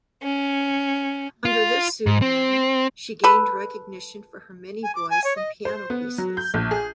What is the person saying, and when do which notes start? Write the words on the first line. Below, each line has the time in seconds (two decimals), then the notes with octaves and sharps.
Under this pseudonym, she gained recognition for her many voice and piano pieces.
0.23 C#4
1.45 F4
2.06 G#2
2.22 C4
3.24 A4 B4
4.83 G#5
4.95 D6
5.10 G#5
5.24 C#5
5.36 D#5
5.65 C5
5.90 B3
6.18 F#3
6.37 G6
6.54 A#1
6.71 G#4